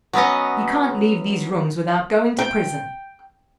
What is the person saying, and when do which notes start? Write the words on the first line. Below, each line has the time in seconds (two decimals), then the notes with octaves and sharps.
You can't leave these rooms without going to prison.
0.13 F#3 B3 C#4 D#5
2.39 G5